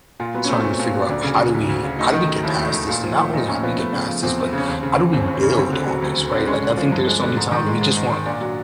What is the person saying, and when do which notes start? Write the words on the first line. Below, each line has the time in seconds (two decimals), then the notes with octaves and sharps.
trying to figure out how do we how do we get past this? And not only how do we get past this, but how do we build on this, right? Like, I think there's so many times we just want
0.20 A#2 F4
0.34 F#3 B3
0.44 C#4
0.49 A3 C4
0.65 A#2 C#4
0.79 A#2
0.94 F#3
1.09 D2 D4
1.24 C#3
1.39 F#3
1.54 D2
1.69 D2
1.84 C#3
1.99 A3 D#4
2.14 D#3
2.29 F#3
2.44 D#2 E4
2.59 A3
2.73 D#3
2.89 A#2
3.04 F3
3.18 A3
3.33 A#2 D#4
3.48 A#2 C#4
3.63 F3 B3
3.78 A3 B3
3.93 C#3
4.08 F3
4.23 E2 C4
4.38 A3
4.53 C#3
4.58 C#4
4.68 D#2 C4
4.83 C#3
4.98 E3
5.13 D#2 C4
5.24 D#2 C#4
5.35 C4
5.43 C#3
5.52 C#4
5.58 D2 C4
5.72 D3
5.87 F#3
6.02 D2
6.17 D2
6.32 D3
6.39 C4
6.47 G#3 C#4
6.62 D3
6.77 F3
6.92 G2
7.07 G#3
7.22 D3
7.37 G#2
7.52 D#3
7.67 G#3
7.81 G#2
7.97 G#2
8.11 D#3
8.26 A#2 D4
8.41 F#3